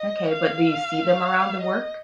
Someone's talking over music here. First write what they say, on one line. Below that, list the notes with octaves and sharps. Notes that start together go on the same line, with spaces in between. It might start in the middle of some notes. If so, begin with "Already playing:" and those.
okay but do you see them around the work?
Already playing: D#5
F5
D#5